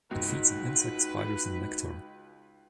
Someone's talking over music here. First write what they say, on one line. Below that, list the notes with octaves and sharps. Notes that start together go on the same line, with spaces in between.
It feeds on insects, spiders and nectar.
C#2 D#4 F#4 B4